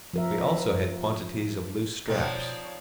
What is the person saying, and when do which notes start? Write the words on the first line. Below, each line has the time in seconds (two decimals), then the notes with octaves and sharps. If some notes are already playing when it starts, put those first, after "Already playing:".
We also had quantities of loose straps.
0.13 F3 A#4 E5
2.08 B2 F3 C4 D#4 C#5 D5